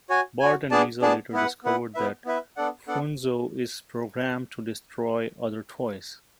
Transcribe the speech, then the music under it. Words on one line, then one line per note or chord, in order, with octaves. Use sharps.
Bart and Lisa later discover that Funzo is programmed to destroy other toys.
F#4 C#5 G#5
F#4 C#5 G#5
B3 D4 G#4 D5 A5
B3 D4 G#4 D5 A5
B3 E4 B4 F#5
B3 E4 B4 F#5
B3 E4 B4 E5
B3 E4 B4 E5
B3 D4 A4 D5 F#5
B3 D4 A4 D5 F#5